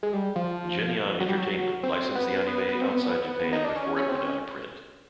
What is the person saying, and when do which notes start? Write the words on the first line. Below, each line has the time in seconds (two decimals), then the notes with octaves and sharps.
Geneon Entertainment licensed the anime outside Japan before it went out of print.
0.03 G#3
0.13 G3
0.36 F3
1.20 F#3
1.28 G3
1.38 F#3
1.83 C4
2.15 B3
2.47 B3
2.69 B3
2.81 C4
2.90 B3
3.53 D#4
3.65 D4
3.76 C#4
3.97 C#4
4.09 C4
4.18 C#4